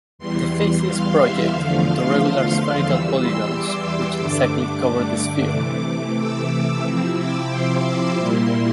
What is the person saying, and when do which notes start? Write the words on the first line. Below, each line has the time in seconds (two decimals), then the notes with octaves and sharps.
The faces project onto regular spherical polygons which exactly cover the sphere.
0.19 E2 E3 G3 C6
0.84 F5
1.19 E5
1.51 E2 D3 F3 A3 F5
1.85 C6
2.19 C6
2.85 E2 E3 G3 E6
3.18 C6
3.51 D6
4.18 G2 D3 A3 D4 D6
5.51 C3 E3 A3
6.18 E6
6.84 C3 F3 C4 E4 E6
7.18 D6
7.51 C6
7.85 D6
8.17 A#2 G3 A#3 E4 C6